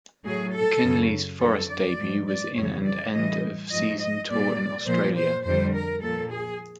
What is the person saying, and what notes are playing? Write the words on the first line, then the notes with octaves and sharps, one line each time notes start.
McInally's Forest debut was in and end of season tour in Australia.
A2 F#3 G#4
A4
F#2 C#3 F#3
F2 D3 F#3 A4
D5
G#2 F3
D5
F2 C#3 E3 G3 C#5
D5
A2 E3 G3 D#5
G#2 F3 D#5
D#5
A#2 G3 D5
A#2 F3 C5
C5
F2 D3 G3 C5
A#4
A#2 F3 A4
G#4